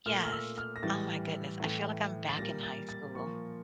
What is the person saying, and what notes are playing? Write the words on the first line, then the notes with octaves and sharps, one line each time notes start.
Yes. Oh my goodness, I feel like I'm back in high school,
A#2 A3 F6
F6
E6
F6
A#6
A2 E3 G3 A6
A2 E3 A3
A6
A#2 G3 A#3 A#6
A6
A6
A#2 F3 A#3 C#6